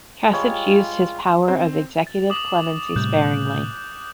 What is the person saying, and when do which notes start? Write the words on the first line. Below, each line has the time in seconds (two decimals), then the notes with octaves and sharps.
Kasich used his power of executive clemency sparingly.
0.32 G3 G#3 F4 C#5
1.48 C4
2.07 A6
2.30 D6 D#6 F#7
2.96 A2 C3 G3 F#6 G6